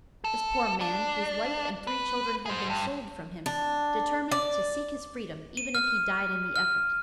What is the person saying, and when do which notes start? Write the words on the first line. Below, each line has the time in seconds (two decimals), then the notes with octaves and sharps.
This poor man, whose wife and three children had been sold from him, determined to seek his freedom, even if he died in the effort.
0.24 A4
0.81 D4
1.87 B4
2.46 G#4 C5
2.70 G2
3.46 D4
4.31 D5
5.57 D#7
5.75 F6
6.56 F6